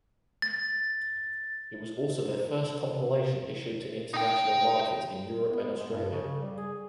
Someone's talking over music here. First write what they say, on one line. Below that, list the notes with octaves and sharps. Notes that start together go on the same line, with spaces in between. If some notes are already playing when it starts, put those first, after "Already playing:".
It was also their first compilation issued to international markets in Europe and Australia.
A6
D#4 G5
B3
G#3
G2
C#3
G3
G#4